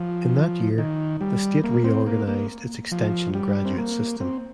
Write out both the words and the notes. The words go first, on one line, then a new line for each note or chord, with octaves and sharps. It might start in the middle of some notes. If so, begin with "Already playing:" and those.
In that year, the state reorganized its extension graduate system.
Already playing: F3
D#3
G3
A#3
C4
A#3
A#3
F3
G3
C4
A#3
C4